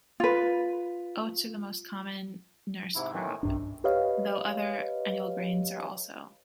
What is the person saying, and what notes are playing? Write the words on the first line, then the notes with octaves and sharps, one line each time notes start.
Oats are the most common nurse crop, though other annual grains are also.
F4 B4
G#2 C3 E4
A2 D#3 E3
B1 G2 C3 D#3 D4
G4 B4 C#5 D#5 F5